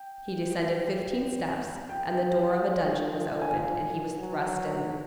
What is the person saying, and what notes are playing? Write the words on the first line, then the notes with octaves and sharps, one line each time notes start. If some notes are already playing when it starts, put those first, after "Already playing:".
He descended fifteen steps, and the door of a dungeon was opened, and he was thrust in.
Already playing: G5
F3 G5
G#5
F#3